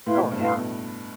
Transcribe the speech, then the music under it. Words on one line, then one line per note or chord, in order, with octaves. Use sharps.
Oh, yeah.
A2 E4 B4 F5 C6
B2
A2
G2
A2 E4 B4 F5 C6
B2